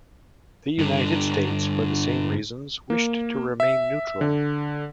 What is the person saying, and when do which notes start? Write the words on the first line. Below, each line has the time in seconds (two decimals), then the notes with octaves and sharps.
The United States, for the same reasons, wished to remain neutral.
0.79 G2 D3
2.90 A#3
3.60 E5
4.21 D3